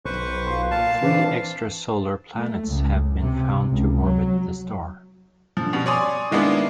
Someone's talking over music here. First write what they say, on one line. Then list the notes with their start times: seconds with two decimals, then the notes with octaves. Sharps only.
Three extrasolar planets have been found to orbit the star.
0.05 B1 B4 C5 C#6
0.47 F4 C6
0.71 A#2 F5 A5
1.02 E3 C4 D4 B4
2.35 A3
2.68 C#2
3.21 C3
3.70 C#2
4.04 F#3
5.57 D3 F3
5.73 B2 G3
5.86 C#5 D5 G#5 C6 D#6
6.31 D#3 G#3 A#3 B3 D4 E4